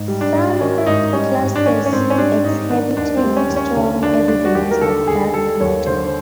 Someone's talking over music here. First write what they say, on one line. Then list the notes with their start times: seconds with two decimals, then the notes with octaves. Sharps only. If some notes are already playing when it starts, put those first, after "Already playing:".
Some clusters exhibiting strong evidence of dark matter.
Already playing: G#2
0.08 G3
0.21 D4
0.34 G#2
0.61 D#3 C#4
0.78 E4
0.86 G#2 D#4
1.13 G3 C#4
1.39 G#2
1.56 D4
1.66 D#3 C#4
1.86 C#4
1.92 G#2 C4
2.10 C#4
2.18 G3 D4
2.44 G#2 D#4
2.71 D#3 D4
2.97 D#2 D4
3.17 C4
3.24 G3
3.37 C#4
3.50 D#2
3.56 C#4
3.76 D3 C#4
4.02 D#2 D4
4.28 G3 D4
4.45 F#4
4.55 D#2 G4
4.71 A#4
4.81 D3 A4
5.07 D#2 G#4
5.34 G3 A4
5.60 D#2 C#5
5.86 D3 C5
6.04 C5